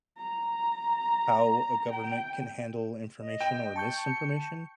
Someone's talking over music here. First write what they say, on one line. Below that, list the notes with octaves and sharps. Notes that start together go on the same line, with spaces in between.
how a government can handle information or misinformation
A#5
G5
D#5
G5
A5 C#6 G6 C#7